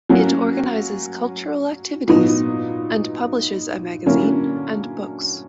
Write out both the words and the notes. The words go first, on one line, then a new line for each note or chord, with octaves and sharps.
It organizes cultural activities and publishes a magazine and books.
F#3 A#3 C#4 F#4
A#2 F#3 B3 D#4
D3 F#3 A#3 C#4 E4